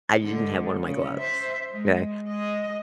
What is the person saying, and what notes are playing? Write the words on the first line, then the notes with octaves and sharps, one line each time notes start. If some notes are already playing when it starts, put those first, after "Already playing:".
I didn't have one of my gloves. 'Kay?
D3 G#3
C#3
C5 E5
G#3
G#3 D#5